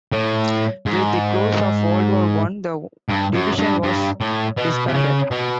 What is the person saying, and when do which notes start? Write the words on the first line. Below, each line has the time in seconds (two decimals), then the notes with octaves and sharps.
With the close of World War One, the division was disbanded.
0.12 A2
0.86 G#2
3.09 G2
3.34 F#2
3.58 G2
3.83 G2
4.21 A2
4.57 B2
4.88 C3
4.94 C#3
5.31 B2